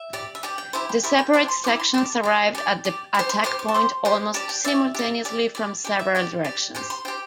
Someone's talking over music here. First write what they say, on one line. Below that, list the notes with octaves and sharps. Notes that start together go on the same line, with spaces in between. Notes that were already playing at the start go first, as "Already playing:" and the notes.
The separate sections arrived at the attack point almost simultaneously from several directions.
Already playing: E5
G4 D5
E5
G4 D5 G5
G5
E4 G4 C5 E5
G5
E4 G4 C5 E5
G5
E4 G4 C5 A5
C6
E4 G4 C5 D6
C6
G4 D5 A5
G4 D5
G4 D5 G5
G4 D5
G4 C5 A5
C6
G4 C5 D6
D6
A5
G4 C5 C6
G4 C5
G4 D5 A5
G5
G4 D5 E5
G4 D5
G4 D5
G4 D5
G4 D5 G5
E5
G4 D5 G5
G4 D5
G4 C5 G5
C6
G4 C5 G5